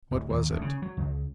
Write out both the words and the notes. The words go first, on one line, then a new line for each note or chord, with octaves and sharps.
What was it?
D1
D#2
D2
C#3
F#3
C#2